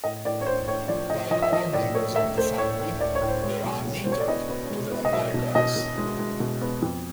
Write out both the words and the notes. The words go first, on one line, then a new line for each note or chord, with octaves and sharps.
Like all members of the family, they are native to the Americas.
A2 D#5
A2 D5
C#5
A2 C5
A2 C#5
F3 D5
A2 D#5
F3 D#5
E5
F3 D#5
A2 D5
A3 C#5
A3 E5
A3 C5
A2 C#5
A2
A2 D5
C#5
A2
C5
G#3 C#5
B1
B1
B2 C5
C#5
D5
B3 D#5
B3
G#3
B3
D#5
B1 E5
B2
B2 D#5
B2
G#3
G#3
B2
B3
F2